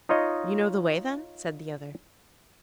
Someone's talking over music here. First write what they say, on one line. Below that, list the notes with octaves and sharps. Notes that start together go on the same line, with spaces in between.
'You know the way then?' said the other.
D#4 F4 C#5 D#5